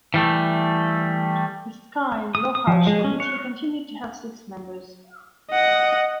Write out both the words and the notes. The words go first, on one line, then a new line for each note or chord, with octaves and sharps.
The Skye and Lochalsh committee continued to have six members.
E3 G3 A3
D#6
D#6
F3
G#3
C#4
C#5
D#5 F#5